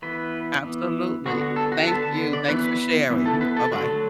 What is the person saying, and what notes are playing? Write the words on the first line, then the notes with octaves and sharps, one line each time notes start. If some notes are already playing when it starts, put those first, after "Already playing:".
Absolutely. Thank you. Thanks for sharing. Bye-bye.
E3 B3 B4
E3 B3
D3 B3 F#4
F#4
A4
F#4
D3 B3 A4
A5
D5
E3 B3 B4
B4
B4
E3 B3
A4
B4
A4
D3 F#3 A3 F#4
A4